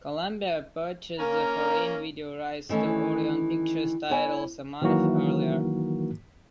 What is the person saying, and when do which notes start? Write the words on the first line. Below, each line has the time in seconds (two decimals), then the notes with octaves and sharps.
Columbia purchased the foreign video rights to Orion Pictures titles a month earlier.
1.18 A#3 C#4 A#4
2.69 D#3 E3 A3 C#4
4.10 B3 E4 C#5 G#5
4.82 D#3 E3 F#3 A#3 F#4 A#4